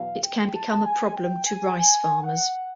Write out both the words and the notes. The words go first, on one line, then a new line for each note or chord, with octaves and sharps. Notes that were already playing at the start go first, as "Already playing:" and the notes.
It can become a problem to rice farmers.
Already playing: E2 B2 F#3 F5
G5
A5
G#5
G5
G#5
G#5
F#5